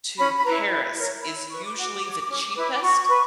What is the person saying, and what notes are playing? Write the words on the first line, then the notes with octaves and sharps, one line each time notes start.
to Paris is usually the cheapest,
C#4 B5
B5
E4 B4 A#5
E4
A#4 C#5
E4 B5
B4 C#6
D6
F#4
C#5
C#4
E4 B4
D6
F#4 C#6
B4